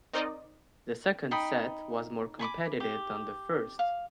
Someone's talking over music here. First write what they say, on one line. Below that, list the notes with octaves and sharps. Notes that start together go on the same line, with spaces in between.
The second set was more competitive than the first.
C4 D#4 A#4 C5 D5 D#5
D#4 G5 B5 D#6
G#5 B5 C#6 D6
G4
F5